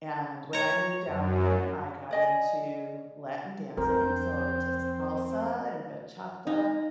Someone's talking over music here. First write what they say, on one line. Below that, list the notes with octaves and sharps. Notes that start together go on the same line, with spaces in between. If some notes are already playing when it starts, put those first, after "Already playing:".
and when I moved down here, I got into Latin dancing, so into salsa and bachata
C#5 A#5
F#2
D5 D#5 G#5
F2 C4 A#4 G6
D#4